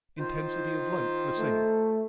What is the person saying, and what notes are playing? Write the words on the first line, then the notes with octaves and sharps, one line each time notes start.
Intensity of light the same.
D#3 F4 C5
A3